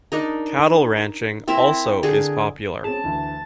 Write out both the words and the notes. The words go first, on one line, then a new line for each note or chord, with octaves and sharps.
Cattle ranching also is popular.
D4 D#4 A#4
C4 E4 A#4 E5
D3 G#4
C4 C#4 G#4 A5
D2 E3